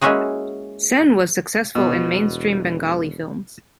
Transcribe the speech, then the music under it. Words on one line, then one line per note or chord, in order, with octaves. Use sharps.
Sen was successful in mainstream Bengali films.
G#3 A#3 C#4 E4 F#4 G#4
E1 B2